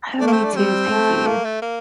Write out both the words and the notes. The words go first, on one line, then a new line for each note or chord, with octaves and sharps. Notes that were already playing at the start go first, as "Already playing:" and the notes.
Oh, me too, thank you.
A3 D4
A#3
C4
D4
G3 C4
A3
A#3
A3
A#3